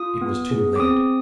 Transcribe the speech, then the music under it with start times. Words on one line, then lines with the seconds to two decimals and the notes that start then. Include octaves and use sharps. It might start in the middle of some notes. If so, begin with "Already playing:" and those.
It was too late.
Already playing: F4 D#6
0.21 B3
0.51 G#4
0.76 D6
0.80 C4 D#6